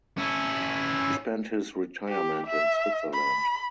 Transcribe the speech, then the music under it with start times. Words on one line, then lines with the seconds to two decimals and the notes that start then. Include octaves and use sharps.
He spent his retirement in Switzerland.
0.18 C#4 E4
2.09 G4
2.47 E5
3.13 B5